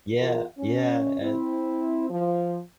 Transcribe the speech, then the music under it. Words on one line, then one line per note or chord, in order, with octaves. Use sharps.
Yeah, yeah, and
E2 F4 A#4
C#4
C4 E4
F3